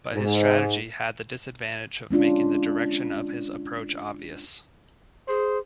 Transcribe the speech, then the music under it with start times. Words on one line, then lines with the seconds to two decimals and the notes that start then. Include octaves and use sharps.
But his strategy had the disadvantage of making the direction of his approach obvious.
0.13 G#2
2.11 G#3 C#4 D4 F4
5.28 G#4 C5